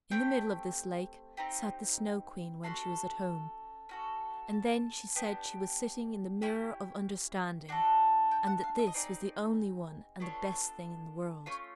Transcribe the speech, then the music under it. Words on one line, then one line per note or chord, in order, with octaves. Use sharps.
In the middle of this lake sat the Snow Queen when she was at home; and then she said she was sitting in the Mirror of Understanding, and that this was the only one and the best thing in the world.
A3 C4 G4 G5
C4 D#4 G4
C#4 F#4 A4 C6
C#4 F#4 A4
A5
B3 D4 G4
C#4 E4 G4
D4 F#4 A4
G5
F#5
F5
E5
D#5
C4 D#4 G#4 D5
B3 D4 F4 A4 C#5
A3 C#4 F4 C#5